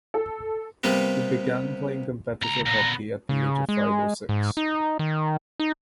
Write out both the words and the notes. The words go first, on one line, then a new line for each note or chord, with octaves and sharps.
He began playing competitive hockey at the age of five or six.
A4
C3 G3 A#3 B3
C#2 A#5
A#2 B3 A#5
C#3
G#3
G#2
D#4
D#3
D#4